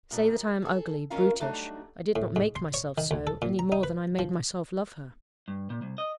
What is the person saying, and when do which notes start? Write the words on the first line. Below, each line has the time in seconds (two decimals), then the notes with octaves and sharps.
Say that I am ugly, brutish; I did not make myself so, any more than I made myself love her.
0.11 F#2 A#2 D4
0.27 F#2
0.62 G#4 A4
1.10 D#3 A#3 C#4 F4 A#4 F5
1.40 F#3 G3 A3 D4 D#4
2.16 A2
2.36 G#2
2.56 C6
2.74 C#5
2.98 D#3
3.11 D2
3.27 A4
3.42 A#2
3.59 A#5
3.72 D#4
3.83 B4
4.19 F3
5.48 G2
5.70 A#2
5.82 C2
5.98 D#5